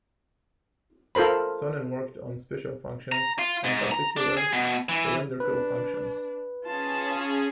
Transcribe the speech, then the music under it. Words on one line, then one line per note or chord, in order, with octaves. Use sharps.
Sonin worked on special functions, in particular cylindrical functions.
F4 A4 A#4 C5 B5
A#5
F4
G#2
A#5
D4
G#4
B2
E3
D4 B4
C#4 F4 G#4 A5